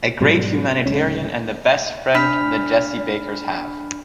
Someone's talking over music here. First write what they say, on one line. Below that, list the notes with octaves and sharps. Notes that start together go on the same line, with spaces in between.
A great humanitarian and the best friend the Jessie Bakers have.
G#2 B2 F#3 G3
D1 C#3 G#3 C#4
D4 B5 F6 B6